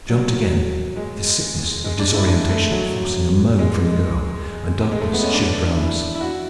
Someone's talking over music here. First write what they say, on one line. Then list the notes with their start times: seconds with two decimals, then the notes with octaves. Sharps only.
We jumped again, the sickness of disorientation forcing a moan from the girl, and darkness shivered round us.
0.10 F#3
0.96 G#3
1.84 G#3
1.99 D4
2.14 E4
2.27 D4
2.49 A3
2.72 F#3
3.59 G#3
4.92 G#3
5.01 A3
5.13 B3
5.23 C#4
5.34 D4
5.77 E4
6.15 E4
6.21 F#4